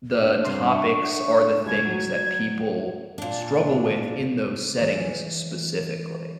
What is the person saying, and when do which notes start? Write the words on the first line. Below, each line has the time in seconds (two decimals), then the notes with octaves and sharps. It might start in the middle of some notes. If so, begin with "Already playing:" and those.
the topics are the things that people struggle with in those settings specifically.
0.18 A#3 D4
0.45 G2 C3 C6
0.71 E5 C#6
1.66 C#2 G#6
1.85 F#3
3.18 A#2 D4
4.81 E3 G#3 E4